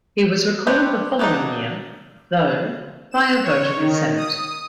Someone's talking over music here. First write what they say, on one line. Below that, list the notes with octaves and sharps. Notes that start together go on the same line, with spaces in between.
He was recalled the following year, though, by a vote of the senate.
C4 D4 G4 B4 C#5
F#3 A#3 B3 D4 D#4
E7
C#5
D#3
D#6